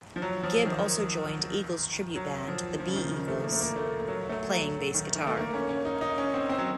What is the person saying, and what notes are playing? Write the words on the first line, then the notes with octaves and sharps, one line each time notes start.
Gibb also joined Eagles tribute band, The B-Eagles, playing bass guitar.
F3
F#3
F3
D#3
F#3
F3
F3
C#3
D#3
C#3
A3
A#3
A3
A#3
A3
F#3
A3
F#3
D#3
D#3
A3
A#3
C#4
C#4
D#4
D#4
C#4
C4
C4
F#3